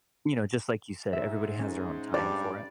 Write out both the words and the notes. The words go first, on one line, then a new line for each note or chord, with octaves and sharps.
you know, just, like, you said, everybody has their own time for it.
G#2 E5
C#4
G2 D5